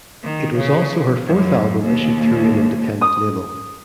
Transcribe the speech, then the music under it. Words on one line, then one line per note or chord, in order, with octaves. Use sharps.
It was also her fourth album issued through an independent label.
D#3
C#3
F#2
D#2
D#6